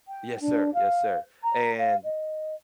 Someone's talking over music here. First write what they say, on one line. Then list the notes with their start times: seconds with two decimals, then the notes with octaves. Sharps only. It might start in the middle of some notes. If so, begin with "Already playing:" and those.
yes, sir, yes, sir. And
0.08 G5
0.40 D4
0.74 F5
1.43 A#5
1.77 F5
2.03 D#5